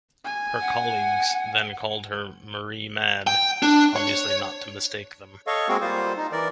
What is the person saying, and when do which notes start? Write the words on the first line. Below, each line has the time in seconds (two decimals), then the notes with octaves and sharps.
Her colleagues then called her Marie Mad obviously not to mistake them.
0.25 G#5
0.61 F#5
3.27 G5
3.63 D4
3.96 C#5
5.47 A4 C#5 D#5 F5 C#6
5.69 G#3 A#3 C4 F#4 G#4 A#4
5.81 G3 A#3 F4 C5
6.17 D#4
6.32 E3 A#4 D5